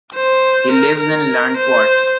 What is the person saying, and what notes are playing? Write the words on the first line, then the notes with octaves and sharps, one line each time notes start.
He lives in Landquart.
C5
A#4
A#4
C5